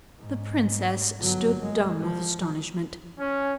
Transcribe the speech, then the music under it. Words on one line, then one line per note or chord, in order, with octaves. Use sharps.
The princess stood dumb with astonishment.
G#2
G1 F#3
G#3
F3
C#4